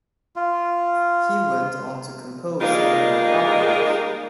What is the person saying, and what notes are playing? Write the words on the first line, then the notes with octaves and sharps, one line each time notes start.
He went on to compose seven more operas.
F4
G3 G#3 A#3 D#4 F4